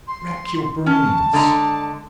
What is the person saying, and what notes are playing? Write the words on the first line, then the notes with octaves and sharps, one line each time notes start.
Rack your brains!
C6
C#4 A5
D3 G#3 A#5